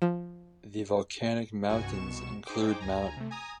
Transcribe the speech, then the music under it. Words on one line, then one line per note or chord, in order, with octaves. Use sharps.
The volcanic mountains include Mt.
F3
C2 G2 F#4 G#5 C#6
C2 B2 C#6 E7
D#4 G#4 C5 G5 D6
D2 G#5 A#5
C3 A3
G#5 A#5 D#6